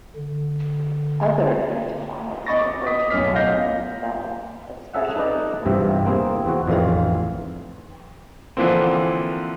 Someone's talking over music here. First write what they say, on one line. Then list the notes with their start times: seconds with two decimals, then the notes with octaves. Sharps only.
Other emetophiles prefer to vomit themselves, especially on a partner.
0.16 D3
2.46 E2 D#5 B5 C#6 A6 A#6
2.58 D6
2.86 D#5 D6 D#6 B6
3.10 B1 F#2 A2 C#4 F6 B6
3.35 D#5 F5 F#5 G6 A#6
4.93 G#4 A4 E5 F#5
5.16 D#4 A4 B4 D5 D#5
5.65 E2 G2 C3 C4 F4 E5
6.06 A#3 C4 E4 G#4
6.45 E2 C4 F#4
6.67 A1 F2 D#3 E3 F4 F5
8.57 D3 E3 F3 A#3 C4